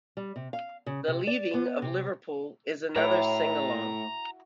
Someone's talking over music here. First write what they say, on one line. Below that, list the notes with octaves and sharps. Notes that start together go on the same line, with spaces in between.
"The Leaving of Liverpool" is another sing-along.
G3
C3
F5
C#3
C3
D5
B3
C3
A2 E4 F#4 C#5 G5 A#5